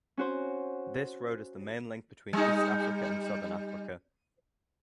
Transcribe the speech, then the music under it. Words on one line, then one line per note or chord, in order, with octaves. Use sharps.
This road is the main link between East Africa and Southern Africa.
C#4 F#4 C5
G3 D#4